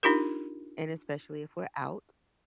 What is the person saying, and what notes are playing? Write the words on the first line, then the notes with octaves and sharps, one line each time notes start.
And especially if we're out
D4 D#4 F4 G4 A#4